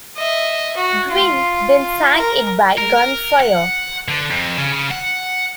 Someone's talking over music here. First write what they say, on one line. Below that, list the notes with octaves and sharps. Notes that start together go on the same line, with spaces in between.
"Gwin" then sank it by gunfire.
D#5 E5
F#4
F4
A#4
A#4
F#5
D3
F2
C#3
C#3
F#5